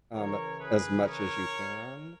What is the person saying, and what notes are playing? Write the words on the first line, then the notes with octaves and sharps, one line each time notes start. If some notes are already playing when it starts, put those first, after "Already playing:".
um, as much as you can,
C#3 E3 A#4 C#5
G#4 B4
A#4 C#5